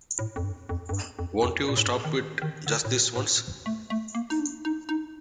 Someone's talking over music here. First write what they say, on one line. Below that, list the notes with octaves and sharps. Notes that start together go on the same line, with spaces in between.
Won't you stop it just this once?
A2
F2
G2
F2
F2
G2
F2
F2
A#2
A2
G2
A2
D#3
D#3
D3
A2
A#2
A2
A3
A3
A#3
D#4
D4
D#4
D#4